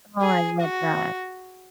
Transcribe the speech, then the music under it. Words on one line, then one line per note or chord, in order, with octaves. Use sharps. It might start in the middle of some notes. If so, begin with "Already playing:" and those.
Oh, I love that.
G#4
F#4